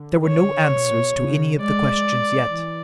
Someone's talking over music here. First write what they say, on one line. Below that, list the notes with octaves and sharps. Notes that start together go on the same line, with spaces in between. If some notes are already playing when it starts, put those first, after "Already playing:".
There were no answers to any of the questions yet.
Already playing: D3
C#5
B2
C#3
G#3 D5
E3